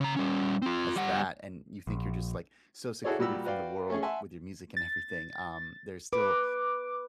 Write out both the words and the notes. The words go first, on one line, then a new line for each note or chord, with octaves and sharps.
as that and you think you're just, like, so secluded from the world with your music and everything um, there's still
C#3 A#5
G3 C#4
C4 F4
G3 F#5
A#1
E4 F#4 G#4 A4 C#5 D5
A#2 G3 F#4 G4 B5 E6
F#4 B4 D5 F5 G5
A3 C#4 G#4
E5 F#5 G#5 A5 C6
A6
B4 D6